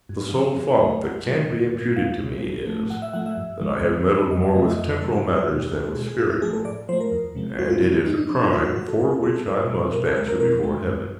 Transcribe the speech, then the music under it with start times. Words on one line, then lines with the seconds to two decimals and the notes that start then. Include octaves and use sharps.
The sole fault that can be imputed to me is, that I have meddled more with temporal matters than with spiritual, and it is a crime for which I must answer before Heaven.
0.09 G2
0.32 D3 F3
0.56 G2
0.80 D3 F#3 A3
1.03 G2 F#5
1.26 D3 F#3 A3
1.50 E2
1.74 B2 G3
1.96 E2 F5
2.20 B2 G3
2.43 A2
2.67 F3 A3
2.90 A2 F#5
3.02 E5
3.13 F3 A3 F#5
3.26 E5
3.37 G2
3.60 D3 F3 G#3
3.84 G2
4.07 D3 F3 G#3
4.31 F2 D#5
4.42 D5
4.54 C#3 F#3 A3 D#5
4.66 E5
4.78 F2 D#5
4.90 B4
5.01 C#3 F#3 A3 A4
5.13 G#4
5.24 E2
5.36 F#4
5.48 B2 G#3 F4
5.59 G4
5.71 E2 A4
5.84 A4
5.95 B2 G#3 G#4
6.06 G#4
6.18 A2 F4
6.30 E4
6.42 F3 A3 G#4
6.53 A4
6.65 A2 D5
6.89 F3 C5
6.93 A3
7.01 A#4
7.12 E2
7.35 C3 F3 G#3
7.58 E2 F#4
7.70 F4
7.82 C3 F3 G#3 E4
8.06 F#2 D#4
8.17 D4
8.29 D3 F3 D4
8.41 D#4
8.52 F#2 F4
8.65 F#4
8.76 D3 F3 F#4
8.88 A4
8.99 E2 A#4
9.11 A4
9.23 B2 G3 G#4
9.34 A4
9.47 E2 A#4
9.70 B2 G3
9.93 B2 A#4
10.05 A4
10.16 G#3 A#4
10.28 A#4
10.40 B2 A#4
10.63 G#3
10.87 G2